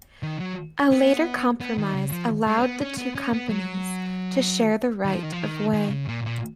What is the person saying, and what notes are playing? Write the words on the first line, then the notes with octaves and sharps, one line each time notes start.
A later compromise allowed the two companies to share the right of way.
D#3
F#3
B3
B3
D#3
C#3
F3
G#3
C#4
B3
C#4
B3
C#4
B3
F#3
D#3
F3
D#3
F3
D#3
D#3
C#3
A#2
A#2